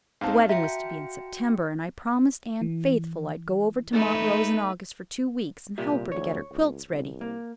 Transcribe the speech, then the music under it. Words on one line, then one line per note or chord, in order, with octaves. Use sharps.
The wedding was to be in September, and I promised Anne faithful I'd go over to Montrose in August for two weeks and help her to get her quilts ready.
G#2 C4 D#4 F5 A5
F#4 E5 G5 A#5 C#7
E3
A3 D#4 B4
C2 A#2 G4 E5
D2 C#5
C#2
C2
A#3